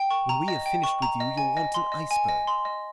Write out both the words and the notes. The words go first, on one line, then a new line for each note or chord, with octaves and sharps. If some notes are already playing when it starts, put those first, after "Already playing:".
When we have finished with you, you'll want an iceberg.
Already playing: G5
C#6
A#5
D#5
G5
C#6
A#5
D#5
G#5
D#5
C6
D#5
G#5
D#5
C6
D#5